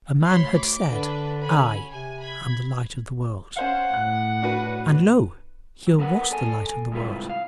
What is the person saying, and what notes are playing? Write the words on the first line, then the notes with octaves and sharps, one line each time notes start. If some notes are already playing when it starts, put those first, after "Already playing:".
A man had said, "I am the light of the world," and lo! here was the light of the world.
D2 C#5 B5 C6
D6
D3 D4 B4
C#4 G#5 B5
C3 G#5
B5 G#6
C#4 C5 F5 F#5
A2 F#6
D4 F#4 B4
F#3
B3 A#4 B4 E5 F#5
A4 D5 G#5
G#2 C3 G3 E4 F4 B4
F5